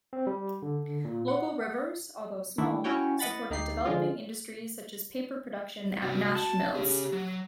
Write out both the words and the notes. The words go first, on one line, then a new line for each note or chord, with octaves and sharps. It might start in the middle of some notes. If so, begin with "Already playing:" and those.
Local rivers, although small, supported developing industries such as paper production at Nash Mills.
C4
G3
D3
A#2
F#5
D#3 E3 A3 A#3 D4 E4
C#4 E4 F#4 C#5 G5
E3 D#5 F#5 B5 A6
D2 D#4 G4 C7
D3 F3 G#3 F4
G2 C3 F#4
A5
G4 G#4 C#5
F#3